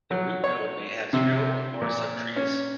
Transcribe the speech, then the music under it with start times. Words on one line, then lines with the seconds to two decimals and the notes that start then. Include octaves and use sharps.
The root node may have zero or more subtrees.
0.11 F#3
0.44 C#5
1.13 C3
1.82 A#2
2.36 C#4